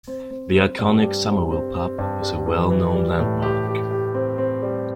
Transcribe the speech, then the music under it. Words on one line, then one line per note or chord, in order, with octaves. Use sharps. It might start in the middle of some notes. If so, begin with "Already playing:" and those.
The iconic Somerville Pub is a well-known landmark.
C4
C4
C4
G2
G3
C4
C4
C4
G2
G3
E3
E3
G3
A2
G4
G4
G4
C4
C4
G3